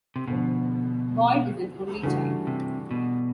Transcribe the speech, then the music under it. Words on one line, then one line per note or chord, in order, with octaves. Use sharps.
Boyd is an only child.
C3
D2 B2 D3 F3
G2 C#3 E3 A3 D4 F#4
C3
B2